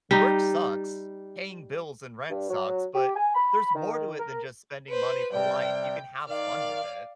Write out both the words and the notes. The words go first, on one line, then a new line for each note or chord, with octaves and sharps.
work sucks. Paying bills and rent sucks, but there's more to it than just spending money for life. You can have fun with it."
G3 D#4
G2
F#3
G4
G#5
B5
D#3
A#4
B4 C5
C3 G3 G5
D#3 D5 F5